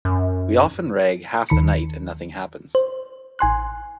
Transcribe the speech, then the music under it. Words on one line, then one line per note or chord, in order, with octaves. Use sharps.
We often rag half the night and nothing happens.
F#2
D#2 D#3 B5 C#7
C5
A1 G#5 C6 F#6